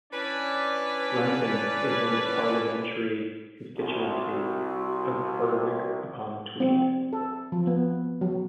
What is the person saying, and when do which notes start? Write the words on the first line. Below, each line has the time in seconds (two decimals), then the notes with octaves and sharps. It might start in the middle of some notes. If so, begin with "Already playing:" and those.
Brunton is in the parliamentary constituency of Berwick-upon-Tweed.
0.12 E3 C#4 D4 B4 D5
3.77 C2 F#4
6.60 C4
7.13 A4
7.52 F3
7.67 B3
8.21 F#3